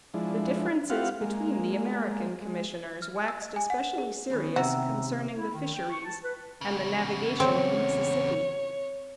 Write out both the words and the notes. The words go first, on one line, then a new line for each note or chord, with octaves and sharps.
The differences between the American Commissioners waxed especially serious concerning the fisheries and the navigation of the Mississippi.
F3 G#3 D4 E4
C4 E4 F4 G4 F5 F#5
G#3 A#3
G#3
F6
G#5
E6
D#5
G#5
F#5
E7
G#4
D#3 B3 C#4
C3 F#4 E5 A#5 E6
E4
D#3
G5
C#6
A5
B4
E2 C#3
C4 C#5